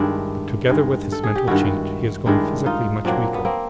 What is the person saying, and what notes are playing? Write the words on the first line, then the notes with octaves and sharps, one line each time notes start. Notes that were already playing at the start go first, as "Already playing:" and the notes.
But together with this mental change he has grown physically much weaker.
Already playing: G2 D#3 G#3 D4 E4
G2 D#3 G#3
A4
G#4
G4
G2 D#3 G#3 E4 F#4
G2 D#3 G#3 D4 E4
D#4 F4
A#2 F#3 A#3 C4 D4
B3
A#3 C4